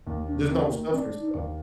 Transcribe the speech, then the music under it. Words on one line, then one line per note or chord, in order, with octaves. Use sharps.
just don't stuff yourself,
D#2 A#3
D4
D#3 C4
A#3
C4 D4
D#4
D#2